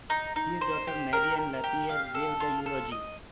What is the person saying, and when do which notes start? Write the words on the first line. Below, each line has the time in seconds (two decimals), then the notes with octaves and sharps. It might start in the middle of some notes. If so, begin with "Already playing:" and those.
His daughter Marie-Anne Lapierre gave the eulogy.
0.10 D#4
0.36 D#4
0.61 C5
0.87 G4
1.13 A#4
1.38 A#4
1.64 G4
1.89 F5
2.14 A4
2.40 F4
2.66 A4
2.92 D#5